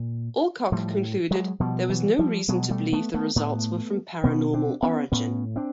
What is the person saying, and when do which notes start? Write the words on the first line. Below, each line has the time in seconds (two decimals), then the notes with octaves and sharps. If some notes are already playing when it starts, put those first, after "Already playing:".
Alcock concluded there was no reason to believe the results were from paranormal origin.
Already playing: A#2
0.72 A2 F3 G3
1.31 F#3 G#3
1.60 B2 F3 G3
1.90 E3 F#3
2.19 F3 G3
2.48 B2 F#3 G#3
2.70 G3 A3
2.93 A3 B3
3.14 A3 B3
3.36 A2 A3 B3
4.24 B2 B3 C#4
4.54 C4 D4
4.83 B3 C#4
5.12 A2 B3 C#4
5.56 C4 D4